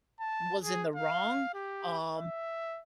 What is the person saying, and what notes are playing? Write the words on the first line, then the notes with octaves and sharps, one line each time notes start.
was in the wrong, um,
A5
G#4
F5
G4
E5